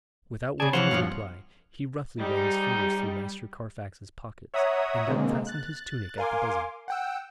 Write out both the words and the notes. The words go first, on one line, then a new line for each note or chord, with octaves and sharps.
Without waiting a reply, he roughly ran his fingers through Master Carfax's pockets, and unfastened his tunic at the bosom.
C#3 G#4 D5 G#5 A5
E3 F3 C5 C#5 F5 F#5
G2 B2 F3
G#2 G3 D#4
C#5 E5 F#5 A#5 D#6
B2 D3 G#3 A#3 C4
F#6 A6
A#4 F5 G#5 C6 D6
F#5 G5 E6